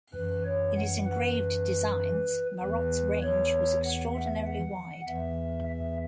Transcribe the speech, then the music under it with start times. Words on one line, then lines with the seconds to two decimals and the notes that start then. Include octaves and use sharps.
In his engraved designs, Marot's range was extraordinarily wide.
0.14 F#2 E3 B4
0.45 C#5
0.76 F#5
1.07 B4
2.61 E2 E3 B4
3.23 C#5
3.84 F#5
4.14 E5
4.45 F#5
5.07 E2 E3 E5
5.69 E5